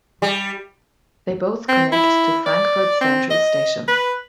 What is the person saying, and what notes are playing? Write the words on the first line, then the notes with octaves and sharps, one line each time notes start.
They both connect to Frankfurt Central Station.
G3
C4
E4
D5
C4
D#5
B4